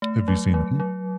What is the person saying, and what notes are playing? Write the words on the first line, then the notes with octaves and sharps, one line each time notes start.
Have you seen them?
A3
F#3
F#3
F#3